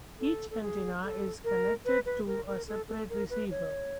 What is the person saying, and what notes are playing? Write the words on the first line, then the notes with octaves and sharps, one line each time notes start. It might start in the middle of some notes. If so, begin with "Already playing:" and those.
Each antenna is connected to a separate receiver.
A4
A4
G#4
A4
A#4
B4
B4
A#4
A#4
A4
A4
A#4
B4
C#5